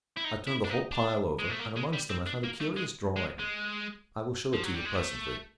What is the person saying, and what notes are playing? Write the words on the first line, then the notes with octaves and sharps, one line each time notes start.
I turned the whole pile over, and amongst them I found a curious drawing; I will show it to you presently.
E4
D#4
E4
D4
D#4
D4
G#3
A3
A#3
G#3
G3
C4
D4
A#3
A3
G#3
G#3
G#3
F3
F#3
G3
G#3
A3